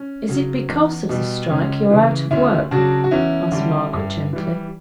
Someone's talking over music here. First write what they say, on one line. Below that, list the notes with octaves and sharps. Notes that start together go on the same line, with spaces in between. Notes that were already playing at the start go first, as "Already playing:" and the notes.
'Is it because of the strike you're out of work?' asked Margaret gently.
Already playing: C#4
C#3 F#3
E2
B2 G3
C#2 C#4
C#3 E3
D2 C#4 E4
C#3 F#3 D4 F#4
F#4
E2 C#4 E4
D3 G3
G2
E3 G3